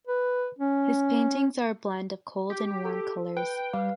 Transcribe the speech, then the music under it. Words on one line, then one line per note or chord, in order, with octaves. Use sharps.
His paintings are a blend of cold and warm colors.
B4
C#4
G4
A4
B4 G5
G3 B4 F5